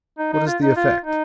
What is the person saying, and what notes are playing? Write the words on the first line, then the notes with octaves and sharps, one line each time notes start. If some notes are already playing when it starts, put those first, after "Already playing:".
What is the effect?
D#4
D#4
F4
D#4
F4
D#4